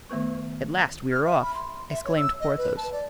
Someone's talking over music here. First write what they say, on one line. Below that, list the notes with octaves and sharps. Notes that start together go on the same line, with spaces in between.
"At last we are off!" exclaimed Porthos.
D#3 A3 B3 B4 C#6
F6
E5
B5
C6
E5
C#5
E6
D#5
B4
A5
D5